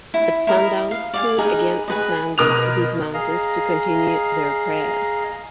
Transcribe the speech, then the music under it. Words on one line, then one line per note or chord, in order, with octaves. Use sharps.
At sundown, they would again ascend these mountain to continue their prayers.
E4
E4 A#4 D#5
F5
D5 F5 G#5
D#4 G#4 A#4 B4
G#4 B4 D#5
B2 A#4 D#6 F#6 F7
G#4 D#5 F5 A#5